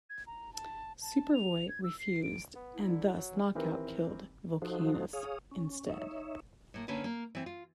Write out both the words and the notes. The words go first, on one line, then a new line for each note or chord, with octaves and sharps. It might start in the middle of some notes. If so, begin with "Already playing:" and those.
Superboy refused, and thus Knockout killed Volcanus instead.
G#6
A#5
A5
A5
F7
G#6
E6
C7
D7
B3
G3 D#4 E4
D3
F#3
E3
D#3 E3 C4 G4 A#4 B4
F3 D#4 F#4 A4 C5
G#4 C#5 F5 D#6
C#4
D#4 C#5 E5
A2 A#3
D3 A#3 C#4 B4
A#3
E3 C4
F4